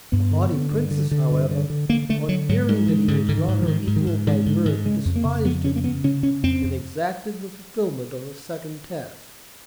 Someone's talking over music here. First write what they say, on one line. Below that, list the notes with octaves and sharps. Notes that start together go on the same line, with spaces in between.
The haughty Princess, however, on hearing that he was not her equal by birth despised him, and exacted the fulfilment of a second task.
G2 B3
D3
D3
G2
D3
D3
G2
D3
D3
D3 A#3
D3 A3
D3 F#3
G#2 F#3
G#2 G3
G#2 E3
G#2 D3
G#2 D3
D#3
G#2
E3
G#2 D#3
G#2
D#3
G#2
G#2 D#3
G#2 D3
G#2 D#3
C#3 G#3
F2
A#3
C#3
F2 B3
C#3 C#4
A#3
C#3 B3
C#3 C#4
C#3 C#4
F2 C4
F2